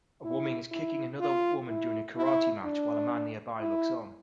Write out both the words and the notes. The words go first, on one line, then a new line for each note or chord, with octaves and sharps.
A woman is kicking another woman during a karate match while a man nearby looks on.
E4
E4
F4
E4
E4
D4
E4